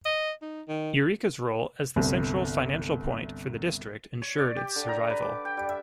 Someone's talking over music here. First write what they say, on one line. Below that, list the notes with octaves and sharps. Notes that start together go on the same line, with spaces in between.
Eureka's role as the central financial point for the district ensured its survival.
D#5
D#4
D#3
G1 C2
C#5
D5
G4
D3
A#5
B4
D6
G5
G3
E5